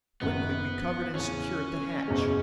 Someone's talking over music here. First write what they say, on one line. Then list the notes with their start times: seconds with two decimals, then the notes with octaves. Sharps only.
Quickly we covered and secured the hatch.
0.22 F#1 F#2 D#3 B3
1.15 E2 C#3 E3 C#4
2.08 F#1 E2 B2 G#3